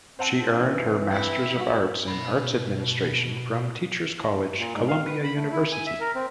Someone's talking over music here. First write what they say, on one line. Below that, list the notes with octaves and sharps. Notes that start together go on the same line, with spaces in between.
She earned her Masters of Arts in Arts Administration from Teachers College, Columbia University.
C4 C5 F#5 A5
E3 D4 D#4
E4
G3 F#4
B2 B5
A#2
G#2
F5
B4
B5
A3
E4
G#5
E5
A#4
C4